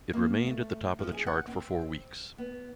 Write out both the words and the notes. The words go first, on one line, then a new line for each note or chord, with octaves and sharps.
It remained at the top of the chart for four weeks.
A#3
A3
F3
G#4
F#5
C4
B3